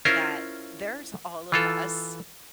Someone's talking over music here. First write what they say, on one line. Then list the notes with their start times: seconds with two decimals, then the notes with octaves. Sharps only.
that there's all of us
0.05 C#4 E4 F4 A#4 C5
1.52 E3 F4 A4